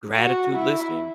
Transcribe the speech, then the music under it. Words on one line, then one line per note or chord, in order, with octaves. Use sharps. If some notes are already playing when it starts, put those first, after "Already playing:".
gratitude listing,
F#4
E4